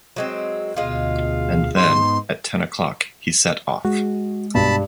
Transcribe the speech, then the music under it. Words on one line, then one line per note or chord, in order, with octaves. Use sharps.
And then, at ten o’clock, he set off.
F#3 G#3 C4
D2 B2 G#3 F4 F5
G#2 B3 D#4 C6
G#3 F#4
G2 B2 A5 B5